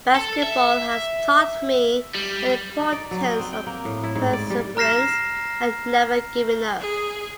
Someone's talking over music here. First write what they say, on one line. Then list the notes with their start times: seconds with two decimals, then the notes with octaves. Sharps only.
Basketball has taught me the importance of perseverance and never giving up.
0.15 A4
0.43 E5
2.15 G3
2.79 D#4
2.92 D5
3.11 F#3
3.24 B3
3.39 C4
3.53 G5
3.66 A#3
3.85 A2
4.03 E4
4.15 G#2
4.33 D5
4.50 G3
4.77 A#5 F6 A#6 C7 E7
6.79 G#4